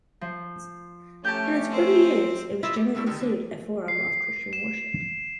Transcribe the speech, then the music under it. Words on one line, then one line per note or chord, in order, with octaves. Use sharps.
In its early years it was generally considered a forum of Christian worship.
F3
A3 C#4 G4 A5 G6
C4 C5
E4 F4 D#5 E5
G4
D3 G3 A3 E4 F4
D3 D#3 A3 G4
D3
C7
E7